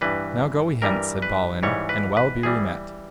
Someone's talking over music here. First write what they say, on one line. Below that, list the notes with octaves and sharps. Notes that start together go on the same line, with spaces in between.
Now go we hence, said Balin, and well be we met.
G2 E3 G3 B4
G2 E3 G3 A#4
B4
G#2 E3 G3 C#5
B4
B4
E3 G3 G#4